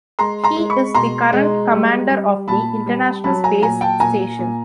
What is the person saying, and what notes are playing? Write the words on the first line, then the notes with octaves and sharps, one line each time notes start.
He is the current Commander of the International Space Station.
G#3 A#5 C6
A#5 C6
G#3
B5 C#6
B2 A#5 C6
G#3
G3
G3
A#2 A5 B5
G3
F#3 A5 B5
G#5 A#5
A#2 G#5 A#5
G5 A5
A#2 G#5 A#5
A#2